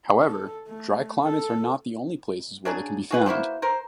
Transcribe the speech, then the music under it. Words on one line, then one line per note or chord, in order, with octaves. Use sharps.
However, dry climates are not the only places where they can be found.
A4
A3
A4
C#3 F#3 D4 G#4
F#4 G#4 B4
A#3 E4 F#4 C5
A#4 C5